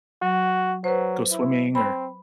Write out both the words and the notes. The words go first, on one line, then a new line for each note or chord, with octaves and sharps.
go swimming, or
F#3 F#4
F#3 B4 C5
E4
C4 B5